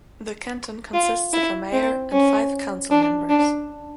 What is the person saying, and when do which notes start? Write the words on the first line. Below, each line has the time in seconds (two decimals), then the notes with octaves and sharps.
The Canton consists of a mayor and five council members.
0.94 F4
1.33 E4
1.72 C4
2.12 C#4
2.91 D4
3.29 D4